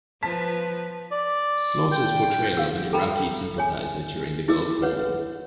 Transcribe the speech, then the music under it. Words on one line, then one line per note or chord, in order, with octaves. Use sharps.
Slaughter's portrayal of an Iraqi sympathizer during the Gulf War.
F3 B4 A5 B6
D5
G5
F5 F#5 E6
A4 G5 A#5 B5
C#5 G#5
E4 G#4 D#5 E6
B4 C#5 F#5